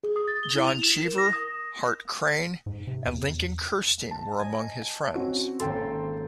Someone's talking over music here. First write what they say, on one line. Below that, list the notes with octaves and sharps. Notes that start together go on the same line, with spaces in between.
John Cheever, Hart Crane, and Lincoln Kirstein were among his friends.
G#4
D#6
A6
G7
E4
F7
E7
A#4
A#6
D#6
G#2
C3
E2
A5
D#5 G#5
C4 C#4 F#4
G#1 A#3 C#4 A4 G5 C6